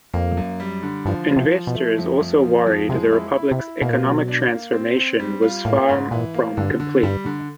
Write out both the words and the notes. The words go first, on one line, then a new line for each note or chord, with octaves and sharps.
Investors also worried the republic's economic transformation was far from complete.
F2 A#3
F#2
G3
D3
G2 F3
F3
C3
F3
B2
A3
F2
F2
F3
F2
C3 G#3
E4
E4
C3
E4
B2 A#3
A#2
B2
F#3
D4
A#3
C4
C4
G3
F4
A2 A#3
G#2
A#2 E3
A#3
G2 D3
D3
G2 G3
D3